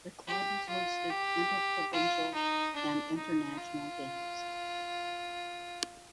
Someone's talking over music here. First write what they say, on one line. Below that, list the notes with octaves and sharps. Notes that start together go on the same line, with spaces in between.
The club has hosted interprovincial and international games.
G4
F4
G4
F4
D#4
D4
D#4
F4